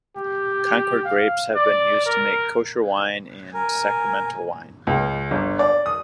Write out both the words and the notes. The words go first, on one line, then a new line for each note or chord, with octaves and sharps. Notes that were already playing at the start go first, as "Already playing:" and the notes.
Concord grapes have been used to make Kosher wine and sacramental wine.
G4
F5
D5
A#4
A#4 G#5
C#2
G1
D5
D#6